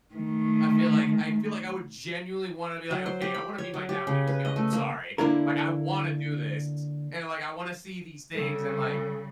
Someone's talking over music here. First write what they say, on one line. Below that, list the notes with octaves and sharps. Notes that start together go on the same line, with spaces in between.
I feel like I feel like I would genuinely wanna be like, "Okay, I wanna meet my dad when he was young, I'm sorry." like, "I wanna do this," and, like, "I wanna see these things," and, like,
D#3 A3
F#3
C5
G4
B5
C#5
F#3
G4
C#3
B4
D#5
A3
A#3
D3 A#3 D4 E4 A#4
C#3 G3 A4